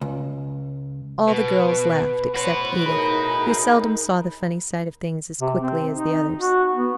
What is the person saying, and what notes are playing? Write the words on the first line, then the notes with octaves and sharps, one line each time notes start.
All the girls laughed except Edith, who seldom saw the funny side of things as quickly as the others.
C#2
B2 B4
A2 F#4 B4 C5 B5
D#4 G#4 A#4 B5
C3
C4
D#4
F#4
B3